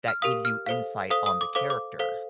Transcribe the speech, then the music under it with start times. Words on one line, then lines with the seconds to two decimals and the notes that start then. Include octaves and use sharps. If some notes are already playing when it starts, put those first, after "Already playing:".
that gives you insight on the character.
0.08 F6
0.22 G4 A#4 F5 D#6
0.45 F6
0.66 A4 C5 F5
1.10 A4 C5 F5 D#6
1.26 D#6
1.41 D6
1.55 A4 C5 F5 D6
1.70 D6
1.99 A4 C5 F5